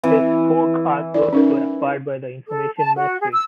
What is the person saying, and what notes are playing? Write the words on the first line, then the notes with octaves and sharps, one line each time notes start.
His folk artworks were acquired by the Information Ministry.
E3 C4
E4 D5
C#4 D#4 A#4
A4
A5
F#4
G#4
E6